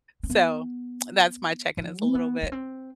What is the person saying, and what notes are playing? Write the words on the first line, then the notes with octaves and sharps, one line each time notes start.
So, that's my check-in is a little bit,
C4
B3
F3
C4
B3
B3
C4